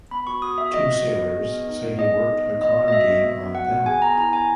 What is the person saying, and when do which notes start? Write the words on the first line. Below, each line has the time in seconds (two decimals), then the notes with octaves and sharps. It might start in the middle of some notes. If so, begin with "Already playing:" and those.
Two sailors say he worked the ‘con’ game on them.
0.11 B3 B5
0.27 F#4 C#6
0.42 F#4 D#6
0.58 B3 E5
0.74 B3 D#5
0.90 F#4
1.05 F#4
1.21 B3
1.36 G#4
1.52 B3
1.68 D#4
1.83 B3
1.99 G#4 D#5
2.14 B3
2.30 D#4
2.46 B3
2.61 B3 D#5
2.77 F#4
2.88 D#5
2.92 F#4 E5
3.09 B3
3.24 B3 E5
3.40 F#4
3.55 F#4 F#5
3.71 B3
3.86 G#4 G#5
4.02 B3 A#5
4.17 E4 A#5
4.33 B3 G#5